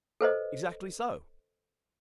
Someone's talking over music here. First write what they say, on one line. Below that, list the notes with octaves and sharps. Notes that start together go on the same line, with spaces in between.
"Exactly so."
A4 B4 C5 D#5